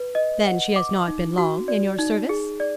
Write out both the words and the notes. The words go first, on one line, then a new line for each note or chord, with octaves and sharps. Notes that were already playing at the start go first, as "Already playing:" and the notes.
"Then she has not been long in your service?"
Already playing: B4
D#5
F#5
D6
D#4
F#4
D5
D#4
G#4
D5